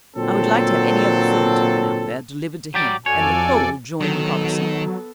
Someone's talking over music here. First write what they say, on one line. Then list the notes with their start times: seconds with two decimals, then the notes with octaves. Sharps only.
I would like to have any other film taken out there delivered to him and the whole joined in proper sequence.
0.16 A#2 D3 F#3 C4 A4
2.74 F#3 G4 D5
3.06 F2 F#4 A4 C#5 D5 F5 G#5
4.00 D#3 F#3 B3 A4